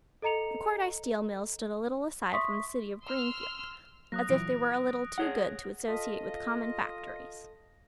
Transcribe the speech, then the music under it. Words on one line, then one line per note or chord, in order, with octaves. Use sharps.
The Cordyce Steel Mills stood a little aside from the city of Greenfield, as if they were a little too good to associate with common factories.
A4 D#5 A#5 C#7 F7
E5 C6 C#6 D#6 B6
C6 E6 F6
F#3 A#3 D#6 F#6 A#6
A#2 E3 F#3 D7
G#4 C#5 F#5
F4 A4 D#5 A5 B6